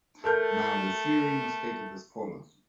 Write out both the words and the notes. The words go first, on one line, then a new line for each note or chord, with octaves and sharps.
Now the theorem is stated as follows.
A3 A4 A#4 G6